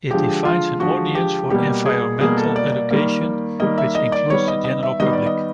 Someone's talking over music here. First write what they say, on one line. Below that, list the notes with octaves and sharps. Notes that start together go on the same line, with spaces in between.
It defines an audience for environmental education, which includes the general public.
D3 F3 G#3 G4
F4
D3 F3 G#3 F#4
G4
B2 G3 A#3 G4
G#4
B2 G3 A#3 G#4
A4
D5
D5
D#3 G3 A#3
D#3 G3 A#3 D#5
E5
D#5
D5
D#3 G3 B3 C#5
D#5
D#5
E5
D#3 G3 B3 D#5
D5
D#5